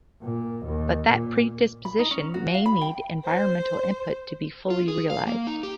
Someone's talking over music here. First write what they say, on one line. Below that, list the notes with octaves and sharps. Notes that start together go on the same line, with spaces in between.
But that predisposition may need environmental input to be fully realized.
A#2
D#2
A#2
B5
D#4
C#4
F#4
F5
B5
G5
C5
F4
G#4
F5
A#3
D#4
G4